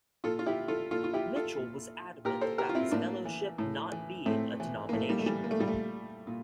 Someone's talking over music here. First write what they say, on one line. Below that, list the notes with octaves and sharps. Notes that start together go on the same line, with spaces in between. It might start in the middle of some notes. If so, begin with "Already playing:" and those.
Mitchell was adamant about his fellowship not being a denomination.
A#2 F4 A4
F4
E4 G4
F4 A4
A#2 F4 A4
F4
E4 G4
F4 A4
A#2
A#2 G4 A#4
A4 C5
G4 A#4
F4
C4 E4
A2 A#3 D4
E3
A2
E3
A2 A3 C4
E3
A#3
A2 A3
G3 A#3
A3
E3 G3
A#3
A3
A#2 G3
A3
A#2